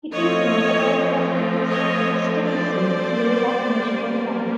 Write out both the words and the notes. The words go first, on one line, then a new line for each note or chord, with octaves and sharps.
It is notable for its extensive use of natural light.
F3 A3 C4 C#5 D#5
C#5 D#5
C5 D5
G3 A#3 C#4